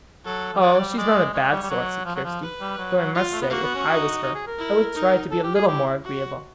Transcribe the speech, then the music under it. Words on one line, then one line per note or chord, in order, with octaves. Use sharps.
"Oh! she's not a bad sort," said Kirsty; "though I must say, if I was her, I would try to be a little more agreeable."
F#3 A4
F3
F#3 D5
F#3
G3
G#3 D5
G#3 C#5
G3
G3
F#3
F3
F#3
F3
B4
G3
F#3
F#3
F4
A3
B3
A#3 F#4
B3
C#4
D#4
D#4
G#4
A#4
E4
D#4
A4
G4
G#4
E4 G4
F#4